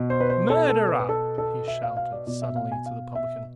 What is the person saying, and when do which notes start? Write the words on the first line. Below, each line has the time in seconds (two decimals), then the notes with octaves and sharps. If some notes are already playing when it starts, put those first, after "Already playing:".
"Murderer!" he shouted suddenly to the publican.
Already playing: B2
0.10 C5
0.20 B4
0.30 C5
0.50 A4
0.69 A4
0.89 B4
1.00 B4
1.09 A4
1.38 A4
1.68 E5
1.83 F5
1.97 F5
2.12 D5
2.27 B2 D5
2.42 E5
2.56 F5
2.72 G#5
2.86 F5
3.15 E5